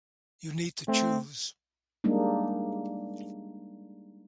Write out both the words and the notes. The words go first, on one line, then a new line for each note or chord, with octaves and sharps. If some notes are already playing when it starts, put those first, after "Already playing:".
You need to choose.
A3 C4
G3 G#3 A#3 D4 D#4